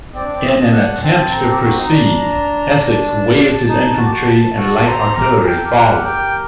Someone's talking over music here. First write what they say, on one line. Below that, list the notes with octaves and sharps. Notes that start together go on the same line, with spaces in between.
In an attempt to proceed, Essex waved his infantry and light artillery forward.
C4 D5
D4
C4
D#5
D4
F#5
C4 A5
A#5
A4
G4
F#4 A#5
D#4
D4
A5
D#4
F#4
G4
F#4
F#4 A4 A5
A4 C5 A#5
G4 A#4 A#5
A#4 G5
A4
G4 A#4
F#5
G5